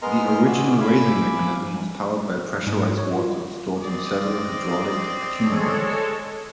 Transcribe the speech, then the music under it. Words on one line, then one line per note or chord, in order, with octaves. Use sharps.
The original raising mechanism was powered by pressurised water stored in several hydraulic accumulators.
G#3 B3 A#4 D#5 A#5 C6
F4 F#4 G#4 D5 E5
E4 E5 F5 G#5 B5 D6
G#2
C#5
F4
C4 D5 D#5
G#3 A4 C#5